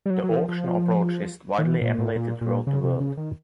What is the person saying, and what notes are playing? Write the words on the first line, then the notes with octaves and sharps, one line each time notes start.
The auction approach is widely emulated throughout the world.
G3
F#3
F#3
E3
F3
F3
D#3
E3
A#2
A2
A#2
A#2
C#3
C3
C#3
D#3